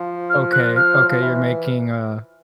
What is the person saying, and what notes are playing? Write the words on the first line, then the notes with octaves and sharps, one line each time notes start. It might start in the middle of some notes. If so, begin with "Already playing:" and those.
okay, okay, you're making a
Already playing: F3
F6
F#6
F6
F#3
F3
E3